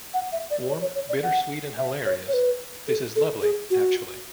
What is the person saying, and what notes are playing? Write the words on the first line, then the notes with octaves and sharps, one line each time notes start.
Warm, bittersweet and hilarious, this is lovely, actually.
F#5
E5
D5
C#5
C#5
C#5
D5
F#5
E5
C#5
C#5
B4
A4
A4
G#4
F#4